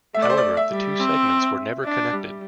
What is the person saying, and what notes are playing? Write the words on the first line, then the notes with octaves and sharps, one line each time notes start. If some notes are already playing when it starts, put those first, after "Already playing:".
However, the two segments were never connected.
A3 E5
D5
C5
D5
E5
G3
C4
D4
G3